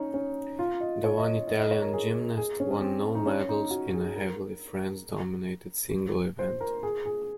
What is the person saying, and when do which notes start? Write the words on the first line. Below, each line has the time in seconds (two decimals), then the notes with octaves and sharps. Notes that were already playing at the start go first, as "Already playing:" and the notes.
The one Italian gymnast won no medals in a heavily France-dominated single event.
Already playing: C#4 D#4
0.14 C#4
0.59 F4
0.81 D#5
1.04 C#5
1.18 D#5
1.34 D#5
1.48 D#5
1.59 D#5
1.71 C#5
1.82 A#4
1.93 G#4
2.37 G#4
2.60 C#4
2.71 C#4
2.81 C4
3.15 D#4
3.26 C#4
3.49 D#4
3.71 F#4
3.94 G#4
4.16 A#4
6.39 C5
6.61 A#4
6.83 G#4
7.06 G#4